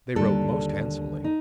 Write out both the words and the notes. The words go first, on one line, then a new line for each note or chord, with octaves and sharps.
They wrote most handsomely.
D#2 D3 G3 D4 A4
D#4